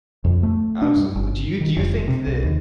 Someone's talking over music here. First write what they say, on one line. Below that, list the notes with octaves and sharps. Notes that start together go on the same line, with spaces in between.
Absolutely. Do you do you think that
F2
A3
D4
G2
G1
D#3
F1
C3
C2
D#2